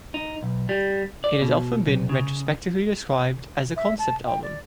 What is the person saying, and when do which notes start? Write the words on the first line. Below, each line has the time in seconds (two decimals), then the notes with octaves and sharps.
It has often been retrospectively described as a concept album.
0.14 D#4
0.43 B1
0.69 G3
1.24 D5
1.41 B2
1.86 B1
2.09 C#3
3.76 E5
3.99 A5
4.26 G5
4.42 D5